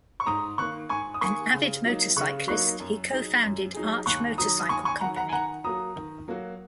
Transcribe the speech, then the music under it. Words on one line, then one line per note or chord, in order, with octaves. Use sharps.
An avid motorcyclist, he co-founded Arch Motorcycle Company.
C#6
G#2 A#5 D#6
D#3 A#3 C#6 F#6
G#2 G#5 C#6
D#6
D#3 A#3 G#5 C#6
C#3
F#3 A#3 D#4
C#3 C#6 F#6
F#3 A#3 D#4 C#6 F#6
F#2
F#3 D#4 G#4
F#2
F#3 D#4 G#4
D#2 C#6 F#6
D#3 F#3 A#5 D#6
D#6
D#2 G#5 C#6
G#5 C#6
D#3 F#3 F#5 A#5
F#5 A#5
G#5
D#3 F#5 A#5
F#3 A#3 F#4 A#5 D#6
D#3
F#3 A#3 F#4